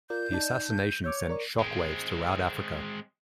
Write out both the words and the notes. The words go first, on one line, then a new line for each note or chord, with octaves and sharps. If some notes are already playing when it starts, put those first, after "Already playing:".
The assassination sent shock waves throughout Africa.
F4 A#4 D5 G6
D#4 D5 A5
C#5 D6 E6 G6
A#4 D5 C#6
G#3 C4